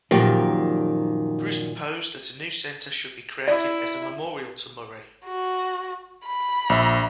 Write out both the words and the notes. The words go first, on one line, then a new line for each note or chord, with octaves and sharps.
Bruce proposed that a new centre should be created as a memorial to Murray.
F#2 A#2 D#3 F3 G4
E4 D5
F#4
B5
A#1 E5